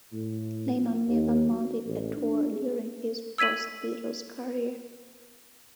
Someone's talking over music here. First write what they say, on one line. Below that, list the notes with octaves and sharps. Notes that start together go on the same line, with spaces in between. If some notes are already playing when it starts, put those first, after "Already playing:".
Lennon never mounted a tour during his post-Beatles career.
A2
F3
D#2
F#3
A1
D4
G#4
E6 G#6 B6 D#7 F#7